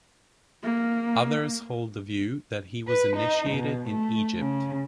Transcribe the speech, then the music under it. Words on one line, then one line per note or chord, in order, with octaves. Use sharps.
Others hold the view that he was initiated in Egypt.
A#3
B4
D#4
B2
A3
C#3